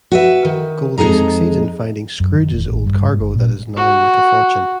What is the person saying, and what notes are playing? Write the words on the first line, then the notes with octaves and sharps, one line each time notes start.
Goldie succeeds in finding Scrooge's old cargo that is now worth a fortune.
F#4 B4 E5
D#3
F2 G#3 D#4 G#4 A#5
F#2
D#3
E1
A1
G2
G#2
G1
A#2
F#4